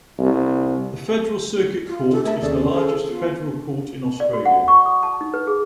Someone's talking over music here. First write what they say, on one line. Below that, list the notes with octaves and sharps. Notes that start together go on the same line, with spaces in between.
The Federal Circuit Court is the largest federal court in Australia.
C2
F4
G4 A4
A3 G#4 A#4 E5 A5
D#2 C#4 G#4 A4 D5
G#4 A4 C5
B3 F4
D5
F#4
F#5
C#6
D#6
A5
D#4
B4
G#4